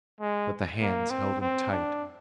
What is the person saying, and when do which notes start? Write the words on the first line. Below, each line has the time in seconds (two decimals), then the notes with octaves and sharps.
But the hands held him tight.
0.21 G#3
0.81 A#3
1.11 C4
1.41 C4
1.72 D4